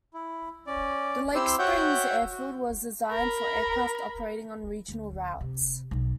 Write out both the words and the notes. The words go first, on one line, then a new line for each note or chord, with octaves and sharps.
The Lake Springs airfield was designed for aircraft operating on regional routes.
E4
C#4 D5
C4 E4 G4 C5 C6 E6
F#4 C#5 E5 F#5 G5 G6
F#4
A#4 B5
D2
C3
B1